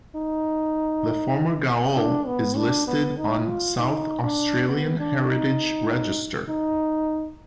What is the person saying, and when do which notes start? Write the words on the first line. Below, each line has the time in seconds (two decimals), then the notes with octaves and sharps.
The former gaol is listed on South Australian Heritage Register.
0.15 D#4
1.96 D4
2.27 B3
2.57 D4
2.87 B3
3.17 D#4
3.47 F4
3.78 D#4
4.23 D4
4.68 B3
4.99 D4
5.29 D#4
6.49 D#4